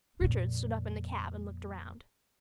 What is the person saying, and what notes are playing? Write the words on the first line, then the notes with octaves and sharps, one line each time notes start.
Richard stood up in the cab and looked around.
F2 A#2